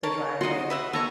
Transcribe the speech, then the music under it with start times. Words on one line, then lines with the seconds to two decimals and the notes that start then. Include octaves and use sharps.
the driveway,
0.03 A#4 C#5 A5
0.41 D#4 F#4 D#5 C6
0.70 B4 E5 F#5
0.93 G#3 F4 A4 G#5 A#5 C#6